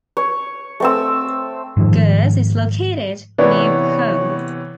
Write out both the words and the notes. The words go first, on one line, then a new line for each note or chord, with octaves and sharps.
Gurs is located near Pau.
C#5
A3 C4 E6
G#2 D#3 F3 G#3
C3 E3 B3 B4 C#5 D5